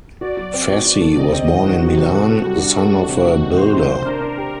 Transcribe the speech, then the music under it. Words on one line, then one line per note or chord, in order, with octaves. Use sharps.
Fassi was born in Milan, the son of a builder.
F#4 D5
F#3
C4
F#4
F#4
A4
C3 D#5
C4
D#3
D#3 F#4
F#3
C3
F#4 A4
A4
G3
D4
A4
D4
C3
A3
D#3
C3 C5
C3
C3
D4 A#4
D4
G4